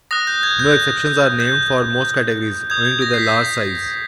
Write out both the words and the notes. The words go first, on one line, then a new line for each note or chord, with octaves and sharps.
No exceptions are named for most categories, owing to their large size.
D#6 F#6 A#6
G6
G#6
G6
G6
D#6 G6 G#6
G#6
A#6
C7
B6